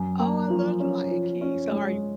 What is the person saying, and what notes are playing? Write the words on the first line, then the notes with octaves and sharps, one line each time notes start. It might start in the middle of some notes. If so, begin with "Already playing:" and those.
Oh I love the Lion King so are you
Already playing: F#2
A#3
F3
C#4
F3
C#4
G#3